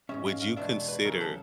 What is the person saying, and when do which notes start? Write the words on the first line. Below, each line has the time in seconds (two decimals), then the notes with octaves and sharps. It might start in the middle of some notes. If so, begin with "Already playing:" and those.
would you consider
0.09 G#2 D#3 G#3 C#4 E5
0.26 F5
0.41 F5
0.56 E2 B2 G#3 B3 D4 E5
0.88 B4
1.04 E2 C#3 F#3 A#4
1.21 A4